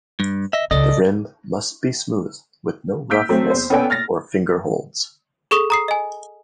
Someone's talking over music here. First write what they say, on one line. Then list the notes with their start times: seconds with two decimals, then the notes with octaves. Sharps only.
The rim must be smooth, with no roughness or finger holds.
0.20 G2
0.53 D#5 E5
0.71 C#2 A4 D5 D#5
3.10 E6 F6 G6 B6 D7
3.29 F#3 A3 C4
3.50 E2 C5
3.70 B3 C#4 A4 D5 G5 G#5
3.90 F6 A6 A#6
5.51 G#4 A4 C#6 D#6 E7
5.70 A#5 D#6 C7
5.88 D#5 G#5